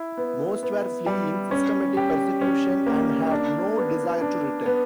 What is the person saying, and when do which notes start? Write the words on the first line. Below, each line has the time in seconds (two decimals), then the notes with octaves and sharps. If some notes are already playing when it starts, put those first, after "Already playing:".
Most were fleeing systematic persecution and had no desire to return.
Already playing: E4
0.17 B3
0.63 B3
1.06 G3
1.51 C#4
1.97 G4
2.41 C#4
2.86 A#3
3.31 D4
3.77 B3
4.21 D4
4.66 B3